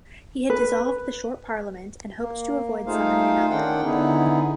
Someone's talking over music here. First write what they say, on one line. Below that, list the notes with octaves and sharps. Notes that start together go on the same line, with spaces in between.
He had dissolved the Short Parliament and hoped to avoid summoning another.
B4
A#3
A3 D#4 F4 G#4 C5 F5
D#3 C#4 D4 F#5 G5
D3 B3 D#4 E4 G#4